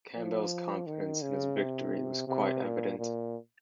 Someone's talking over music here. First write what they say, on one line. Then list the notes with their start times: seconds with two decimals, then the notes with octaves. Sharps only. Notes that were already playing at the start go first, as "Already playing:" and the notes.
Campbell's confidence in his victory was quite evident.
0.16 F3
0.87 D#3
1.22 C#3
1.57 C3
2.28 C3
2.64 A#2
2.99 A#2